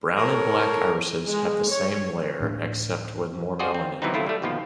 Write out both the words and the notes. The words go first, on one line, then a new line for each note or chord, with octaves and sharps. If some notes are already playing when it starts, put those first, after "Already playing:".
Brown and black irises have the same layer except with more melanin in it.
A2 A4 A#4 C#5
G#3
C#5
D1 A2 D4
F4 F#4 G#4 C5 D5 D#5
C4
C3 E3 F#3 B3 C4 D#4
C#3 F#3 A3 E4 F4
G3 A3
G1 D#2 B2 F3 F4